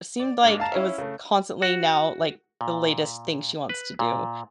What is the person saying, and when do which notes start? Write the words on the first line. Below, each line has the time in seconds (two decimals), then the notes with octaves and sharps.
seemed, like, it was constantly now, like, the latest thing she wants to do,
0.20 D5
0.43 G#2 A#3 D4
0.60 F5 A5 A#5
0.72 C#4 E4 E5 F5
0.98 C#3 A3
1.62 F#4
2.61 A#2
3.69 B4
3.99 A#2